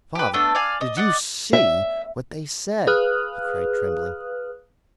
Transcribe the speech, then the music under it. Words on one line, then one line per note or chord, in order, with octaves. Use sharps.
"Father, did you see what they said?" he cried, trembling.
G4 B4
A3 B3 D4 A4
D5 F5 G#5
D#5
D5 D#5 F#5
E5
G#4 B4 F5 D#6 F6 F#6